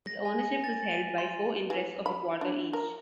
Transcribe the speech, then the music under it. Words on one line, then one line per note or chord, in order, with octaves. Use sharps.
Its ownership was held by four interests of a quarter each.
A#6
G#5
A6
D#7
C6
E3
B5
D4
A#4